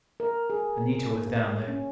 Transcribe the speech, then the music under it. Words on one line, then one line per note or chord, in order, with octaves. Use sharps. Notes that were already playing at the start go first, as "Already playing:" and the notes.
Anita was down there.
A#4
G#4
A#3
C#4